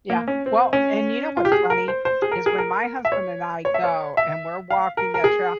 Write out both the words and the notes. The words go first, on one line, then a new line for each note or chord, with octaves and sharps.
Yeah. Well, and you know what's funny, is when my husband and I go and we're walking that trail,
A#3
C#4
C4
C#4
F4
G4
G#4
A#4
C5
C5
G#4
A#4
G#4
A#4
E5
C#5
C#5
E5
C#5
E5
F5
A#4
A#4
G#4